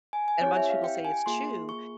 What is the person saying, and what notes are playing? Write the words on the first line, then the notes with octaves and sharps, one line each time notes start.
and a bunch of people say it's true,
G#5
G#5
C4 E4 G4 C#5
E5
F5
G5
G#5
A#3 F4 G#4 C6
C#6